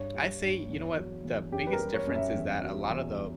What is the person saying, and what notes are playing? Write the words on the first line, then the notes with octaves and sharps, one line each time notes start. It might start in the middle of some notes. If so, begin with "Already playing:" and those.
I say you know what? The biggest difference is that a lot of the
Already playing: G2 C#5
G3
G2
E2
F#3
E2
F#2 G4
B4
A#4
G3
C#5
F#2
E5
E2
F#3
E2